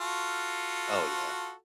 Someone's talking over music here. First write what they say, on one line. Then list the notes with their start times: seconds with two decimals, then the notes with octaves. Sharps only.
Oh, yeah.
0.01 F4 F#4 A4